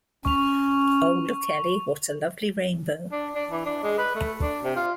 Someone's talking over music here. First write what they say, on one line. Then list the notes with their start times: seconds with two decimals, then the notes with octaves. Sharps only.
Oh, look, Ellie, what a lovely rainbow!
0.25 C#4 C#6 F7
3.12 D4
3.35 D4
3.51 E3
3.65 D4
3.83 G#3
3.98 B4
4.15 A3
4.41 D4
4.64 C3
4.76 F4